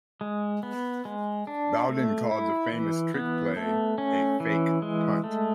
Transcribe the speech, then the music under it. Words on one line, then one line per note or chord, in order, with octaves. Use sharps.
Bowden called the famous trick play, a fake punt.
G#3
B3
G#3
D4
A3
E4
E3
B3
A3
C#4
E3
G#3
A3